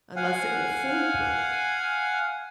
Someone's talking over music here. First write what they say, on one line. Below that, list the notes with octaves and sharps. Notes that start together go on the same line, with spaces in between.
unless it were foolproof.
F5 F#5 G#5